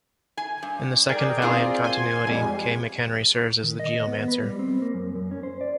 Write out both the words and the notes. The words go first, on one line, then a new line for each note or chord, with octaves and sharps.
In the second Valiant continuity, Kay McHenry serves as the Geomancer.
G#5
G2
G#4 A#4 D5 G5
C4 F4 G#4
G#5 C6
F2 G3 G#3 G#5
D#3
D#5
B3
B4
G3
C4
A#3
F#2
F#2
C#4
C5
D5